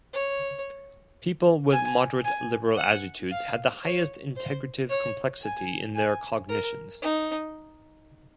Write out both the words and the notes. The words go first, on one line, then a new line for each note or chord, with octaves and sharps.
People with moderate liberal attitudes had the highest integrative complexity in their cognitions.
C#5
G#5
G#5
F#5
F5
C#5
C5
C#5
G#5
G#5
A#4
D#4